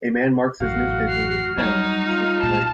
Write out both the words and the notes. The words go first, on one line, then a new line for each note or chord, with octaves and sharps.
A man marks his newspaper with pen as he sit and waits.
A1 F#2 F#4 F5
F6 C7
F#3 G3 D#4
F4 F6
A#2 A5 F6